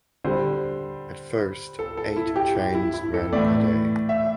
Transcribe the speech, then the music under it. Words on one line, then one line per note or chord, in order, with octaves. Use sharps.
At first eight trains ran per day.
D3 G3 C5
A4
A4
E4
G4
G4
E4
E4
A4
A2 E3 A3 D5
E5